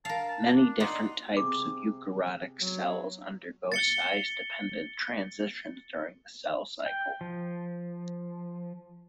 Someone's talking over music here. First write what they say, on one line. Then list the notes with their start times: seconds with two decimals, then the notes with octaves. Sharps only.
Many different types of eukaryotic cells undergo size-dependent transitions during the cell cycle.
0.05 A#4 F5 A5
0.28 A5
0.56 D4
0.80 D#4 D5 F#5 C6
1.37 C3 G#4 D6
2.62 F#3
3.72 A6 C#7 G7
6.86 G5
7.21 F3